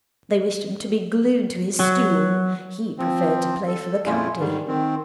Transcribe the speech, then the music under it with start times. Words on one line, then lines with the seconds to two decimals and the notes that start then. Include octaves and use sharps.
They wished him to be glued to his stool; he preferred to play for the county.
1.80 F#3
2.98 F3 C4
3.67 A4
4.06 F2 A#2 G#3 C#4 E4 F4
4.39 G#2 D3 D#3 G3
4.68 D#3 C4